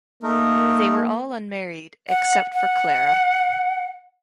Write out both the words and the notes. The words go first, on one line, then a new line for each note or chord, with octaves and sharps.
They were all unmarried except for Clara.
A3 A#3 D#4 A#4
F#5
F#5